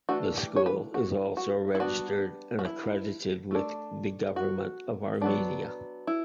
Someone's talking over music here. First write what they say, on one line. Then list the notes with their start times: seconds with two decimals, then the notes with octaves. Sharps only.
The school is also registered and accredited with the government of Armenia.
0.09 E3 A3 D4 F#4
0.37 G4
0.56 C#5
0.66 B4
0.94 F#4
1.37 F#4
1.75 E4
1.80 G3 B3 D4 F#4
2.59 F#4
2.65 E4
3.51 A3 D4
4.36 F#4
5.22 F#3 B3 D4
6.07 E4